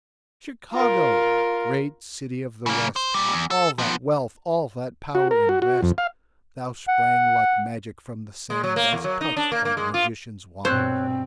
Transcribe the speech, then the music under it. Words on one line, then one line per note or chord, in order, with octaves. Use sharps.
Chicago! great city of the West! All that wealth, all that power invest; Thou sprang like magic from the sand, As touched by the magician's wand.
F4 A#4
C#3 A#3
C5
A#2 G3
E2
A4
F3 B3
F#4
A#4
F#4
F#4
F2
F5
F#5
G#3
F#3
A#3
E2
F#3
D#4
D4
A#3
A#3
G#3
F4
G2 B2 C4 C5 C#5 E6 F#6